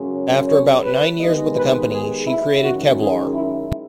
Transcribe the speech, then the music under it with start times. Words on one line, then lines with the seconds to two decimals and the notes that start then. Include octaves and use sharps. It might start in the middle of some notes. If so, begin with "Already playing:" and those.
After about nine years with the company, she created Kevlar.
Already playing: F#2 C#3 G#3 C#4
0.46 C#5
0.82 B4
1.18 D#2 D#3 G#3 B3 D#4 D#5
1.53 B4
1.90 G#4
2.25 E4
2.61 F#2 D#3 G#3 C#4 F#4
2.97 G#4
3.32 E4